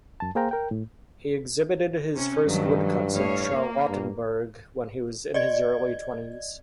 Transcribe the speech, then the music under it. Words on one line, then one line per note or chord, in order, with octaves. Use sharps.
He exhibited his first woodcuts at Charlottenborg when he was in his early twenties.
F#2 A5
A#3 G#4 C5 F5 G5 A#5
A#4 G5
A2
C3 C#4
G2 D#3 F#3 A3
F#3
A2 C#5 F5
A#3
G2
D5 D#5 G#6